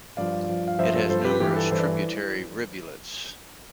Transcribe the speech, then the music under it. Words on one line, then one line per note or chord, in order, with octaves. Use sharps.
It has numerous tributary rivulets.
G2 F3 D5 F5
G2 F3
F5
G2 F3 C5 E5
A4 C5
G2 F3 A4 C5
G4 B4
G2 E3 G4
A4
G2 E3 A4 C5
D5